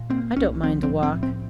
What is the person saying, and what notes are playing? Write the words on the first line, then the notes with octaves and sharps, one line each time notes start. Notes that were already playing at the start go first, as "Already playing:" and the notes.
I don't mind the walk.
Already playing: A#2
A#3 C4
C2 C#4
F3 C4
C4
A2
C4
A2
C4